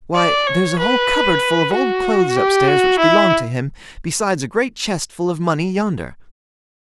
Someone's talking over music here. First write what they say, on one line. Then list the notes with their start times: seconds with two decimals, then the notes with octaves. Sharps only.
Why, there's a whole cupboard full of old clothes up-stairs which belonged to him, besides a great chest full of money yonder.
0.16 D5
0.47 C#5
0.79 B4
1.73 F#4
2.37 G4
2.68 F#4
2.99 E4